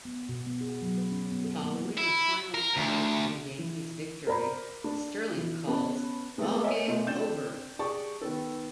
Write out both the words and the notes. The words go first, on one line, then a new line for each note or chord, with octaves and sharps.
Following the final out of a Yankees victory, Sterling calls Ballgame over!
B3
B2
B3
G#4
F#3
B4
C#4
B3
A4
A#3
E4
A#4
D2
E3
A#4 C5 D5 A#5 B5
D4
E3
B3 C#4 B4 A5
G#3 A3 B3 C4 A4
A#4 C#5 D#5 E5 G#5
B2 A3 F4 D#5
C4 D4 G6 A6 E7
G4 G#4 D5 A5 C#6
D#3 B3 A4